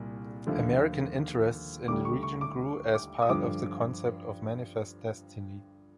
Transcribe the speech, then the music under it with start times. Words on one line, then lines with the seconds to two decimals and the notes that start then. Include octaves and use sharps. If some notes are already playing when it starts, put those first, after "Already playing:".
American interests in the region grew as part of the concept of manifest destiny.
Already playing: C2 A#2
0.46 D#2 D3 F3 A3
1.88 D2 D3 G3 D6
2.05 C#6
2.23 C#6
2.41 D6
2.94 D6
3.22 D#6
3.29 G2 D3 F3 D6